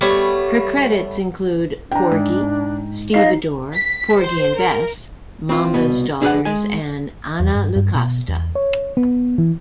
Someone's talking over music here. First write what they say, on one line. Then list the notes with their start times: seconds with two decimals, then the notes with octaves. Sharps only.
Her credits include "Porgy", "Stevedore", "Porgy and Bess", "Mamba's Daughters" and "Anna Lucasta".
0.01 G3 A3 B3 C#5
1.92 D4 G5 A#5
2.12 G#2
3.14 D#4 D#5 F5 C7
3.75 B6
4.21 C5
4.59 A#4
5.49 C4 F4
5.74 C2 B2 B3
6.22 D4 E4 G#4 A4 B4 F#5
6.45 G#3 G#5
7.40 E2
7.55 G2
7.76 G2
7.95 B2
8.28 E2
8.55 C#5
8.97 B3
9.38 E3